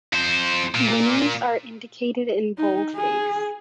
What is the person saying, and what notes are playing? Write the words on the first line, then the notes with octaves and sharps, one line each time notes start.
Winners are indicated in boldface.
F2 C5
A#2
D#4
G#4